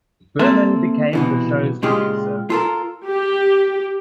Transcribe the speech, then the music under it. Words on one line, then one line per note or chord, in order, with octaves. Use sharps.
Berman became the show's producer.
A#3 C4 A4 E5
C2 B2 E3
A#2 C#3 G#3 F4 G4
F4 A4 A#4
G4